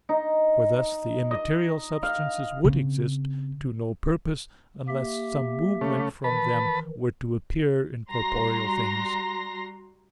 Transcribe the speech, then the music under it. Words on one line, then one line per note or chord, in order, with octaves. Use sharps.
For thus the immaterial substances would exist to no purpose, unless some movement from them were to appear in corporeal things.
D#4
D#5
F5
C#3 C4
A#3 G4 E5
C#3 A3
D#3 E3 B4 A5 B5
G3 F#4 A#5 C6 A#6